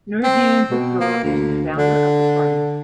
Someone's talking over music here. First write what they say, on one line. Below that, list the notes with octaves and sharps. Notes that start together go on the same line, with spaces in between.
Noureddine Boukrou is the founder of the party.
C4
B2
A#3
D2
D3